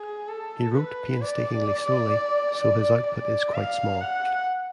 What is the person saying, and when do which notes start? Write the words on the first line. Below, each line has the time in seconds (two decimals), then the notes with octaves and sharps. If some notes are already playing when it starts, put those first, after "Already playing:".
He wrote painstakingly slowly so his output is quite small.
Already playing: G#4
0.28 A4
0.75 B4
1.21 D5
3.07 D5
3.54 F5
4.01 F#5